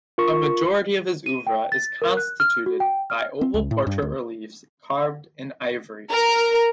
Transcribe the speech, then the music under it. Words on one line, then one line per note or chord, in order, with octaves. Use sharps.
A majority of his oeuvre is constituted by oval portrait reliefs carved in ivory.
F4 A#4 C#6
D#7
G5
A6
A#4
F#6
F6
F#4
G5
F6
C4
C#2
A2
G2
D2
A#4